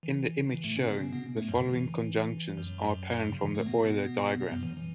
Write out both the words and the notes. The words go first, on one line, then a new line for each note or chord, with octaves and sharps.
In the image shown, the following conjunctions are apparent from the Euler diagram.
E3
C#3
E3
A2 A3
C#3 C#4
B2 B3
C#3 C#4
B2 B3
A2 A3
F#2 F#3
C#3
E3
F#2 F#3
C#3
E3
A2 A3
B2 B3
B2 B3
F#2 F#3
E3
E3